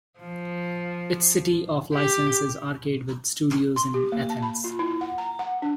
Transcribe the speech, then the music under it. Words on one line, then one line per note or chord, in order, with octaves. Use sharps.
Its city of license is Arcade with studios in Athens.
F3
G4
C6
G4
A#3
A5
B5
F4
E4
F#5
A#5
F#5
D4